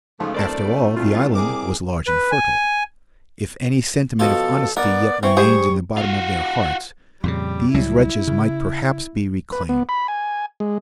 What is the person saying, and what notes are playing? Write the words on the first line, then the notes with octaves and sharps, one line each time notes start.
After all, the island was large and fertile. If any sentiment of honesty yet remained in the bottom of their hearts, these wretches might perhaps be reclaimed.
C#2 G#2 B2 F3 A3
D1 A#4 C5 D5 A5
C2 F4
G#4 A#4 D6
B4
G#5
B2 F3 F4 A4
B3 A#4 D5
E3 C4 C#6
G3 G#4 C5
F4 F#4
F2 A#2 C#3 G3
C#2 F#3 G3 E4
C#3
B4
B3
B5
G#5
G#3